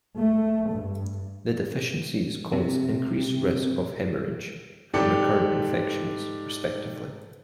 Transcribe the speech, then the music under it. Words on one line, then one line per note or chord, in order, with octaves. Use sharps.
The deficiencies cause increased risk of hemorrhage and recurrent infections, respectively.
A3
G2
C3
G#2 G4 A4 D5 C#7